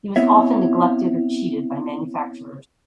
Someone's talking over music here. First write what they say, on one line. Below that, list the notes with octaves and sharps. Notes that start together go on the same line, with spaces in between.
He was often neglected or cheated by manufacturers.
B3 C4 E4 C#5 E5